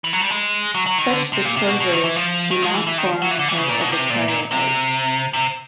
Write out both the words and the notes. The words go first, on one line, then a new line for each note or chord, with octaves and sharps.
Such disclosures do not form part of the prior art.
E3
F#3
G3
G#3
F#3
F#3
D#3
D3
C3
A#2
C3
B2
B2
D#3
E3
F3
D#3
G#3
E3
E3
D#3
F#3
E3
D3
E3
C#3
A#2
B2
C3
A#2
A#2
C3
C3